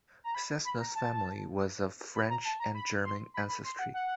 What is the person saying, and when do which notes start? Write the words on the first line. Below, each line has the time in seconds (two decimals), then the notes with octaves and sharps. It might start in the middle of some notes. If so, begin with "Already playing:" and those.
Cessna's family was of French and German ancestry.
0.24 A#5
0.35 B5
0.65 B5
0.80 A#5
0.95 A5
2.15 B5
2.30 A#5
2.45 A5
2.60 A#5
2.75 B5
3.04 C6
3.34 B5
3.49 B5
3.65 C6
3.79 F#5
3.94 F#5